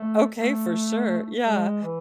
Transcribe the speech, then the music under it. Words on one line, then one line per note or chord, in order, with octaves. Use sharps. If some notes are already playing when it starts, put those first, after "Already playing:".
Okay, for sure, yeah.
Already playing: A3
A3
G#3
E3